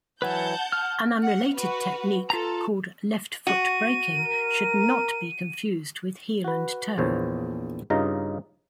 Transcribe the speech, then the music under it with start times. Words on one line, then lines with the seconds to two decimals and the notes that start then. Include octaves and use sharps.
An unrelated technique called left-foot braking should not be confused with heel-and-toe.
0.22 E3 F#3 B4 F#5 A5 G6
0.72 F6
1.24 F#5
1.55 F#4 B4
2.30 F4 A4 A#5
3.47 F#4 D#7
4.13 A#4
6.44 F#4 B4
6.98 A#1 E2 A#2 C5 C#5
7.90 G2 C#3 D#4 F4 D#5 A#5